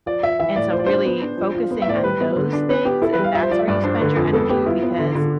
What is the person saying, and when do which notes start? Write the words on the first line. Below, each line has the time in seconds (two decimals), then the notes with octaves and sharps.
and so really focusing on those things, and that's where you spend your energy because,
0.06 F3 D5
0.23 F3 E5
0.40 E3 E5
0.56 A2 D5
0.73 F4 C5
0.79 D5
0.86 D4 C5
1.05 B3
1.22 D4
1.37 F3
1.55 F4
1.71 B3
1.82 E5
1.87 A2 D5
1.97 C5
2.04 G3 B4
2.21 B3
2.36 D3
2.53 D4
2.69 B3 B4
2.85 B3 G4
3.02 E4 A4
3.13 B4
3.19 G3
3.24 F5
3.35 F3 E5
3.43 C5
3.51 F3 D5
3.59 E5
3.68 G2 D5
3.84 D4 C5
4.00 D3 B4
4.16 F2
4.33 B3 A4
4.49 B3 G4
4.66 E4 F4
4.83 B3
4.99 D3
5.15 D3